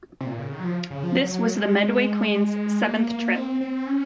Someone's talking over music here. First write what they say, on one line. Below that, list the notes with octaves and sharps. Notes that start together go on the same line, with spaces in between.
This was the "Medway Queen"'s seventh trip.
C3
A#2
C#3
D#3
F#3
F3
C#3
F3
F#3
F#3
G#3
A#3
A#3
C4
C4
C#4